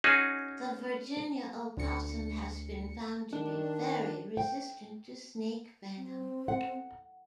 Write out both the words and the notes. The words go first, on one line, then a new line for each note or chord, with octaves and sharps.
The Virginia opossum has been found to be very resistant to snake venom.
C#4 D#4 F#4 G#4
D2 C#7
D#3 D4
G5
C4
F#5